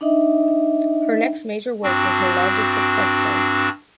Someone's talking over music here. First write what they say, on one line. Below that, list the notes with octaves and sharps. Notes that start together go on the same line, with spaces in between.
Her next major work was her largest success though.
D4 D#4 D#5 E5
G2 C4 D4 F#4